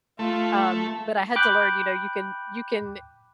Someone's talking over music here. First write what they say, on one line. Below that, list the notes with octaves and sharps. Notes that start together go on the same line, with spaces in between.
um, but I had to learn, you know, you can you can
A3 F4
G5 B5 D6 F#6 G6